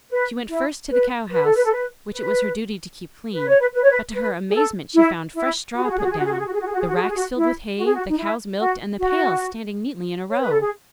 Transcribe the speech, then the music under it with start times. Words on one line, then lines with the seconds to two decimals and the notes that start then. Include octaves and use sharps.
She went first to the cow-house, which it was her duty to keep clean, but to her amazement she found fresh straw put down, the racks filled with hay, the cows milked, and the pails standing neatly in a row.
0.10 B4
0.49 E4
0.90 B4
1.31 B4
1.43 A4
1.54 B4
1.64 A4
1.71 B4
2.12 B4
3.32 B4
3.46 C#5
3.59 B4
3.73 B4
3.82 C#5
3.90 B4
4.13 B4
4.49 G#4
4.54 A4
4.94 E4
5.34 E4
5.75 F#4
5.82 G#4
5.89 F#4
5.96 G#4
6.03 F#4
6.10 G#4
6.17 F#4
6.23 G#4
6.30 F#4
6.38 G#4
6.45 F#4
6.52 G#4
6.59 F#4
6.66 G#4
6.72 F#4
6.80 G#4
6.87 F#4
6.94 G#4
7.01 F#4
7.08 G#4
7.15 F#4
7.36 E4
7.77 F#4
7.84 G#4
7.93 F#4
8.09 D#4
8.17 E4
8.58 F#4
8.98 F#4
10.30 C#5
10.40 B4
10.50 A4
10.59 G#4